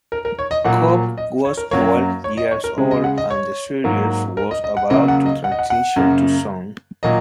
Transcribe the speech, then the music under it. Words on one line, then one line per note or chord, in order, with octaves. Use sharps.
Cobb was twelve years old, and the series was about to transition to sound.
A#4
A#4
C#5
D#5
A#2 F#3 A#3 F#5
D#5
C#5
A#4
F#2 F#3 A#3 C#5
C#5
D#5
C#5
A#4
C#3 G#3
D#5
F#5
D#5
C#5
G#2 F#3 A#3
A#4
D#5
D#5
F#5
C#3 F#3 A#3 D#5
F#5
D#5
F#5
D#5
F#5
F#5
F#2 C#3 A#3
A#2 F#3 A#3 D#5